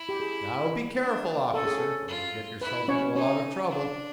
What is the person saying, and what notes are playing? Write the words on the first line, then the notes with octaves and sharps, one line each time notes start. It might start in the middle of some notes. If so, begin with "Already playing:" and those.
"Now be careful, officer, or you'll get yourself into a lot of trouble."
Already playing: E4
G4
G#4
D4
C#4 A4
G#4
A4
F4
E4 B4
C#4 C#5
C#4 D#4 C#5
D4